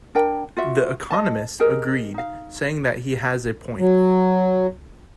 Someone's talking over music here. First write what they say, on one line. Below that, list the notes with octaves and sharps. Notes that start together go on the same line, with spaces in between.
"The Economist" agreed, saying that he "has a point".
D4 A#4 G5
F4 F#4 E5
D#5 A5
G4 G#4 A#4 D#5
D#4 F5
F#3